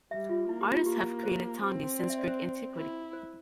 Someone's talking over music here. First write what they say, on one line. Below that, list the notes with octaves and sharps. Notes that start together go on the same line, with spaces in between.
Artists have created tondi since Greek antiquity.
G3 E5
F4
A#3 E4
G4
F4
A#3 G4
C5
C4
D5
E5
D5
C5
E4
C5